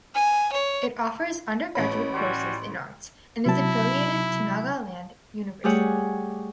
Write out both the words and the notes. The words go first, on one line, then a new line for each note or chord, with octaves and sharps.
It offers undergraduate courses in arts and is affiliated to Nagaland University.
G#5
C#5
A1 C#5 B5
G3 C#4 F#4 C6
C3 F#3 E4 A5
G3 A3 G4 G#4 C#5 F#5